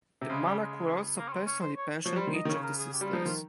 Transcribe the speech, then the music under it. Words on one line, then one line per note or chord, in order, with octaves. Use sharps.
The monarch will also personally pension each of the sisters.
C3
C#3 G#3
G3
G#3
A#3
C#4
C4
C#4
C5
C#5
F3 C#5
G3
C5
D#3
D#5
D#3
C#3 C#5
A#4
G#4
G4
G3 F4
F3 D#4
D#3 F4